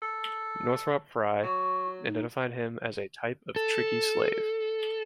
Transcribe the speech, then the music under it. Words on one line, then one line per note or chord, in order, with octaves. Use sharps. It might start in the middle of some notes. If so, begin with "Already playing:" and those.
Northrop Frye identified him as a type of tricky slave.
A4
F#3 C#6
D#4
A4